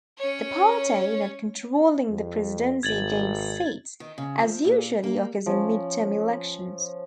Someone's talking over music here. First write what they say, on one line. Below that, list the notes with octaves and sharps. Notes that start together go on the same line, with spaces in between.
The party not controlling the presidency gained seats, as usually occurs in mid-term elections.
C#4 C#5
F2
G#1 G#6 A6 F#7
D#3
C#3
F3
A#2
A#3
F3 C#4